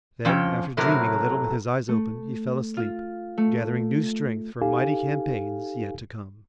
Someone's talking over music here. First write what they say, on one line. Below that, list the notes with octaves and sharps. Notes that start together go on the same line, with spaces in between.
Then after dreaming a little with his eyes open he fell asleep, gathering new strength for mighty campaigns yet to come.
F2 F3 C#4 G5
F#2 A2 C3 F#3 A#4
A3
F4
A3
D#4 G4 A4 F5 G#5